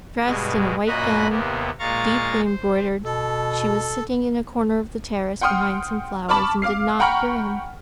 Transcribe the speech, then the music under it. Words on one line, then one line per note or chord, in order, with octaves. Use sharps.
Dressed in a white gown, deeply embroidered, she was sitting in a corner of the terrace behind some flowers, and did not hear him.
G2 B2 G#3
F#2 A#2 F#4 D#5 B5 F#6
D#2 C3 A#3 B3
A#2 G#3 F5 A#5 C#6 A6
C5
B2 A4
F#5 G5 C6 D#6 F6
A5 B5 C#6 D6 F6
F5 D6 F6 C7
F#5 G5 A#5 B5 C#6 F6